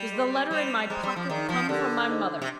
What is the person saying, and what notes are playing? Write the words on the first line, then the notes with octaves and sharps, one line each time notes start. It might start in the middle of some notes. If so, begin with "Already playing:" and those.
"Does the letter in my pocket come from my mother?"
Already playing: G3
G#4 D#5 G5 C6
G3 C5 D#5 G5 C6
G#3 C5 G5 A#5 D6
G3
F3
D#3 D#4 G#4 D5 G5 A#5
F3
D3 G4 A#4 D5
D#4 G#4 C5 D#5
C3